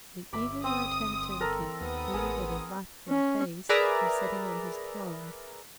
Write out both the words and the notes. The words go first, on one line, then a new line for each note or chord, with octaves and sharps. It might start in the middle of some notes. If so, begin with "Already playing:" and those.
The Eagle led him to the King, who with a wrathful face was sitting on his throne.
G1 E5 B5 D6
C4 D#6
A4 A#4
D#2 B3 D#6
A1 G#4 A#4
C#4
G#4 A#4 B4 D5 E5 A#5